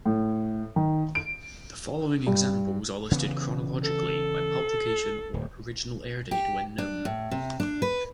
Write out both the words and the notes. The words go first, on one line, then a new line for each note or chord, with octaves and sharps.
The following examples are listed chronologically by publication or original air date, when known.
A2
D#3
D7
G2
C#3 E3 B3
A4
D1
G4
D4
A2
C3
D4
B4